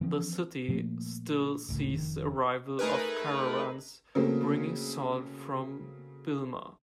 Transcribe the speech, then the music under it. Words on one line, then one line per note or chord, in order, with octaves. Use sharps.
The city still sees the arrival of caravans, bringing salt from Bilma.
E3 F3 C4
A#2 F3 A3 A#3
F1 C#2 A2
F1 D#3
A3 D#4 G#4 A#4 B4
C#3 F#3 A3 A#3 C4